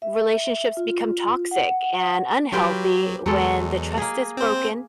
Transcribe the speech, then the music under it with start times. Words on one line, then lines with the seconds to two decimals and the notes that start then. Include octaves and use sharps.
relationships become toxic and unhealthy when the trust is broken,
0.02 E5
0.77 F4
1.51 F#5
2.52 F#3 F4 G4 B4
3.26 E2 F#3 G#3 A4
3.97 A#3 G#4
4.37 C4 C5